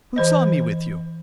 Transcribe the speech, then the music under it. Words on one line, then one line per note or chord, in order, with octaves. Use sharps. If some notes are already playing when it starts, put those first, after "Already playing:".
Who saw me with you?
E3 C5 D#5